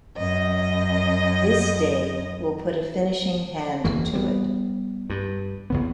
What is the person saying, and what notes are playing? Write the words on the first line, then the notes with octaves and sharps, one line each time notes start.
This day will put a finishing hand to it.
F#2 D#5
F#1 E2 E3 A#3
G3 A#3 B3
G2
E2 C#3 B3